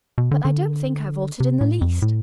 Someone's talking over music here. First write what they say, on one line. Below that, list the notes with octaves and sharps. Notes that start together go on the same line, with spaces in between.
But I don't think I've altered in the least.'
B2
D3
D3
C3
A2
F2
A2